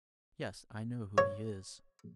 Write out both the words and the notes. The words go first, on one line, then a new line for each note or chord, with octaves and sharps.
"Yes; I know who he is."
C#5